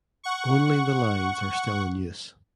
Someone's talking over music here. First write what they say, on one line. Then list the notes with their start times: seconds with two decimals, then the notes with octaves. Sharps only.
Only the lines are still in use.
0.24 F#5 C#6